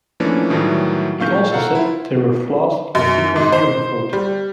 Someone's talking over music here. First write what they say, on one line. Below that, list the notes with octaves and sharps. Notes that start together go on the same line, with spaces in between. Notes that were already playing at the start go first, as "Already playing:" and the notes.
He also said there were flaws in the secrecy of the vote.
E3 F3 A3 A#3 C#4 D4
A2 D#3 E3 F#3 G3
A#2 F5 C#6 G6
A4 F5 F#5 A#5
E4 F4
F#2
G#2
C5
G3